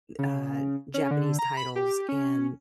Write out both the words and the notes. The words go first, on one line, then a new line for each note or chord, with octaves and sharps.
uh, Japanese titles and
C#3
C#4
D3
A#5
B5
G4
C#4